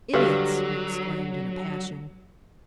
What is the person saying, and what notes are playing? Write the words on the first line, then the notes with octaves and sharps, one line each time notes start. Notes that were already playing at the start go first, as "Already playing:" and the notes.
'Idiots!' he exclaimed, in a passion.
D3 F#3 G3 G4 B4 F5